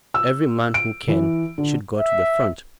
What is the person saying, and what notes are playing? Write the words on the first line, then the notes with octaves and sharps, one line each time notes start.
"Every man who can, should go to the Front."
E6
D7
E3
D3
E5